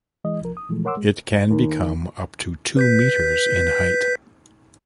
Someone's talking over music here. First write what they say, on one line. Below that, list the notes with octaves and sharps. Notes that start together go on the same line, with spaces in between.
It can become up to two metres in height.
E3 G#3 D#5
C2 F3 A#4
D#6
A#2 E3 F3 G#3 A3
A#4 C#5 F#5 C6 D6 E6
G#3
D#2
B4 G6 B6